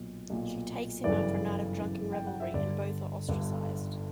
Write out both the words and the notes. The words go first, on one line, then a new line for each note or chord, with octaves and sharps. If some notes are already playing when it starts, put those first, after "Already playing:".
She takes him after a night of drunken revelry, and both are ostracized.
Already playing: B1 A#2
B1 A#2
G1 F#2 C#3 E3 D5
G1 F#2 C#3 E3
G5
F#5
E5
G1 G2 D3 D5
G1 G2 D3